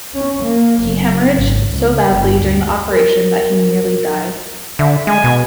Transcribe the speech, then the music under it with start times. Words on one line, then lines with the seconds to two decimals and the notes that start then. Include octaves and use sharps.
He haemorrhaged so badly during the operation that he nearly died.
0.14 C#4
0.43 A#3
0.84 F#1
1.36 G#1
1.71 C#2
2.09 G1
2.42 D2
2.91 A#4
4.79 D3 E5
5.07 G#3 G#5
5.24 B2